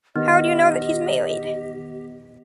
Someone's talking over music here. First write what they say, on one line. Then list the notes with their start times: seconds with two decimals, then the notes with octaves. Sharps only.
How do you know that he’s married?
0.16 D#3 B3 G4 D#5